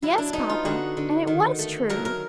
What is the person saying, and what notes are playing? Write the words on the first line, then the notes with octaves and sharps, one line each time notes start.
"Yes, papa, and it was true."
F#3 E4
D4
B3 D#4
F4
D3 F#4
D3
D#3
A3
F#3 A#4
A#4